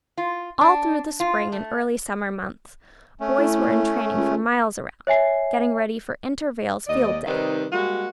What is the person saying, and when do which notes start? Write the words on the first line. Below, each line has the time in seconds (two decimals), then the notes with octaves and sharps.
All through the spring and early summer months, boys were in training for miles around, getting ready for Intervale's Field Day.
0.17 F4
0.61 D4
1.20 F4
1.52 A3
3.20 A3 C#4
3.38 A2
4.17 C#2
5.07 C#5 E5 G#5 C7
6.87 D#2 D5 D#5
7.27 C3 D#3 G3 C4 D#4 B4
7.72 G3 G#3 A#3 F#4